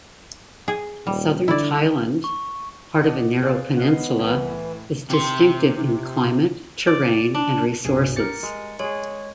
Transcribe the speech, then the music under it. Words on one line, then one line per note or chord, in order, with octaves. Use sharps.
Southern Thailand, part of a narrow peninsula, is distinctive in climate, terrain, and resources.
G#4
D#1 G3
D3 E4 D5
C#6
D4 D#5 F#5
C4 G#4 D5 F5 F#6
G#3 B3 C#4 D#5 F5 F#5
C2 E3
A2
C3 C6
D5
D4
C2 G2 B2 G#4
G4 A#4 A6 C#7
G#3
G#3 G#4 C#5